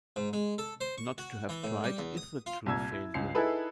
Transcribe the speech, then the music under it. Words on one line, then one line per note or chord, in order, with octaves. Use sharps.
Not to have tried is the true failure.
G#2
G#3
A4
C5
C#6
F#4
E3
A2
G3
E2
D#6
F4
C2 A#2 E6 G#6
E4
C#2 C7
D#4 E4 G#4 A4 B4